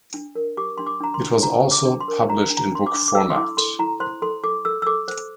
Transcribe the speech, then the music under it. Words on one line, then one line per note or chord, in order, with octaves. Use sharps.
It was also published in book format.
D4
A#4
G4 D6
D4 C6
D6
D4 A#5
C6
D4
D4 A#5
G4
D6
D4
C6
A#4
D4 A#5
D4
A#5
D4 C6
D6
D4
D6
A4 E6
C6
E4 D6
A4 C6
E4 A#5
C5 C6
A4 C6
A4 D6
A4 E6
E6
A4 D6
C5